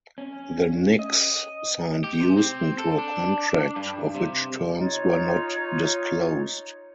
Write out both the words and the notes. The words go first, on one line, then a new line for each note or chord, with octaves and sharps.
The Knicks signed Houston to a contract, of which terms were not disclosed.
C#4
D#5
G4
C3
C4
A4
D4
G2
C3
D#4 F4 C#5